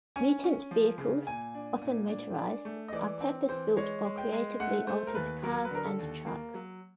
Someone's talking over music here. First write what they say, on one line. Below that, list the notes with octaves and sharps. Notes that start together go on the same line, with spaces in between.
Mutant Vehicles, often motorized, are purpose-built or creatively altered cars and trucks.
C#4 G#5
C#4
F3
C#3
A#2 G#5
D4
A#2
D4
D4
A3
D#5
E3 D5
C4
E3 C5
G#3 C#5
G#3
G5
G#3
A3 F#5
A3 C5
A#4
D#2 B4
F#3 A#4
B4
D3 A#4
A4
D#2
A#3
F#3